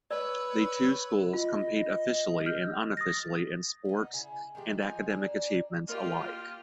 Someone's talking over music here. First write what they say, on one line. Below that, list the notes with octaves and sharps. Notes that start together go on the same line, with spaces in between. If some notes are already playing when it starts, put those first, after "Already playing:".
The two schools compete officially and unofficially in sports and academic achievements alike.
B4 C#5 D5 E6
F4 D#5
F6 G6
D#6 A6 A#6
B3 D#4
C#3 E4
D#3 G#3 A3 G4
F3 D#4 G#5
A#3 D4
A#3 F4 G4 A#4 D#5 F6